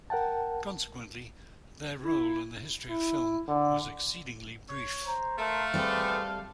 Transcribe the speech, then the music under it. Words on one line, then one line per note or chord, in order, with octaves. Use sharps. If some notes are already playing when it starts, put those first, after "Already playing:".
Consequently, their role in the history of film was exceedingly brief.
A#4 F#5 G5 A5
E4
E4
D3
C#5
C5 A#5
A3 A#4 F5 A5 C6
G3 C4 G#4 A4 B4